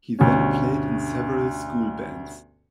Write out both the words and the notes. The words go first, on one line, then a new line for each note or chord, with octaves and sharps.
He then played in several school bands.
D2 G2 B2 C#4